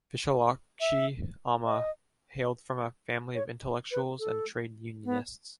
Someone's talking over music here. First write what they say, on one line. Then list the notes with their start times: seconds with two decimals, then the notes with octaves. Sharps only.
Visalakshi Amma hailed from a family of intellectuals and trade-unionists.
0.80 E5
1.65 D#5
3.34 C#5
3.91 B4
4.19 A4
5.05 B3